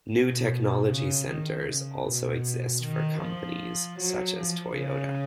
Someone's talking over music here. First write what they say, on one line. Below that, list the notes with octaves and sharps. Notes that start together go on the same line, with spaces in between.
New technology centres also exist for companies such as Toyota.
B2
C#3
D#3
C#3
B2
D#3
F3
F#3
F3
C#3